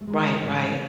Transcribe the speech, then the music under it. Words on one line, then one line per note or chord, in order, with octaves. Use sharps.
Right, right.
A3
E3 G#3
G#2 A3